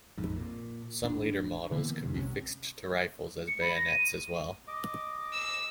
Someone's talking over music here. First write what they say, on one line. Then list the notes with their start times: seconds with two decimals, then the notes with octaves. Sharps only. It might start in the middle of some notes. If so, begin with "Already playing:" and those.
Some later models could be fixed to rifles as bayonets as well.
0.18 A#1 F2 G#2
0.36 A#2
1.02 D#1 A1 D4
1.71 D3 E3 A#3 B3
2.01 E2 G2 C3
2.15 B1 C3 C#4
3.48 C#7
3.61 B5
3.75 A#6
3.87 D#7
4.67 D#5 D6
5.33 E6